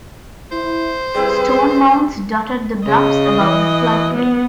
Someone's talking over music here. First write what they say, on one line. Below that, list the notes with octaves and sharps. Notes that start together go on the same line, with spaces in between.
Stone mounds dotted the bluffs above the floodplain.
E4 C5
G3 C4 E4 G#4 B4
C#3 D#5
E3
B3